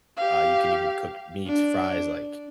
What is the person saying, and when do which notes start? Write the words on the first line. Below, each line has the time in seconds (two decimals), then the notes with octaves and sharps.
uh, you can even cook meat, fries, like
0.16 G4 F5
1.47 D4